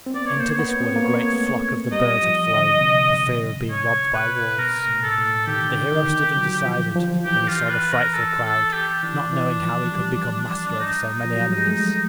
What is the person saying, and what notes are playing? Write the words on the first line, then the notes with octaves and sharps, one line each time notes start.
Into this wood a great flock of the birds had flown for fear of being robbed by wolves. The hero stood undecided when he saw the frightful crowd, not knowing how he could become master over so many enemies.
C4
B3 D5
C#5
A#3 C5
C#5
B3
C4
A#3
B3
A3
G3 D#5
F3
D3
C3
C#5
B4
B2 A#4
A2
A4
A2
D#3 G4
D3
D#3
F#3
F3
F3
E3 G4
F4
B4
A#4
A4
A4
G4
E3 D4
E3
F3
G3
D4
D#4
F3
F#3
G3
G#3
A3